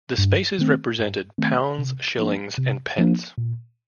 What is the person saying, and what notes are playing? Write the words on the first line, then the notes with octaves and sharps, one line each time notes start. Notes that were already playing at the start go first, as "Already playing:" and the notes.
The spaces represented pounds, shillings and pence.
G2
D#3 A3 C4
G2
D#3 A3 C4
C3
F3 A#3 D4
C3
F3 A#3 D4
A#2